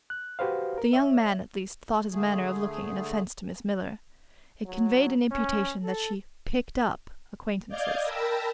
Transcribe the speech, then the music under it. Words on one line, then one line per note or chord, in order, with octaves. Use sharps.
The young man, at least, thought his manner of looking an offense to Miss Miller; it conveyed an imputation that she "picked up" acquaintances.
F#6
F#4 G4 B4 C5 F5
A#4
C#5 E5
D3 A3 G#4
F#3
C#4
A4
D5 D#5 F5 G6 G#6
A#4 G5 A5 B5 E6 A#6